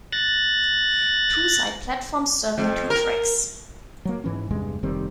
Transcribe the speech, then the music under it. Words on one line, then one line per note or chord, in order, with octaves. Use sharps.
Two side platforms serving two tracks.
F#6 A6 A#6
F2
A#4
F#3 A#3
G#2 E3 C#4
E2 G2 C3 G#3
F1 D#3 G3 C4